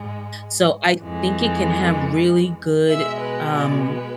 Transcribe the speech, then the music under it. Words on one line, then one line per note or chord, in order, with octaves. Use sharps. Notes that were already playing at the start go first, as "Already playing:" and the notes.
so I think it can have really good, um,
Already playing: G#2 G#3
F2 E3 G#3
B2 G#3 E5
B4
D5
B4